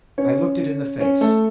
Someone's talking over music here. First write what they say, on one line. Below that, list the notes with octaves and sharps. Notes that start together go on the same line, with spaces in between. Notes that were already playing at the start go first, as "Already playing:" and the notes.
I looked it in the face.
C#4 C#5
C#4 C#5
A3 A4